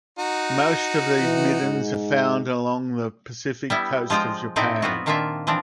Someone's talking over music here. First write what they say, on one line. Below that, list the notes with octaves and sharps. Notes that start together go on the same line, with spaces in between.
Most of these middens are found along the Pacific coast of Japan.
D#4 F#4
E3
G#2
G3 B3 E4
F3 G#3 F4 C5 G5
A2 C4 D#4 E4 D5
B3 C4 F4 F#4
A#2 D#3 A#3 D4 F4 E5
E3 F3 C4 D4